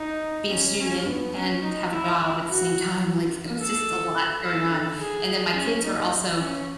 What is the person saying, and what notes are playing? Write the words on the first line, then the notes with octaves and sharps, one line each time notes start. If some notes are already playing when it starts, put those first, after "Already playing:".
be a student and have a job at the same time. Like, it was just a lot going on, and then my kids were also
Already playing: D#4
C#4
C#4
B3
C#4
D#4
E4
F#4
A4
A4
G#4
C#4
D#4
C#4